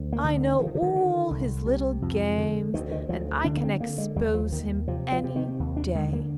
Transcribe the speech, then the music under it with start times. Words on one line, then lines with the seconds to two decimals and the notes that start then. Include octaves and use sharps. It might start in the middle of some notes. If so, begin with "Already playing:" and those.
I know all his little games, and I can expose him any day.
Already playing: D2
0.13 A#3
0.24 D3
0.59 D3 F3
0.66 D#3
0.75 D3
0.82 D#3
0.96 D3
1.31 C2
1.66 C3
2.02 F2
2.38 D3
2.74 D2 D#3
2.91 D#3
3.09 D2 F3
3.45 D3 D4
3.57 A#3
3.64 C4
3.80 D3 A#3
3.98 G#3
4.16 D#2 G3
4.34 F3
4.52 D#2 D#3
4.88 C3 F3
5.12 F3
5.24 C3
5.36 D#3
5.60 D#2
5.77 D4
5.95 D3 G#3
6.13 A#3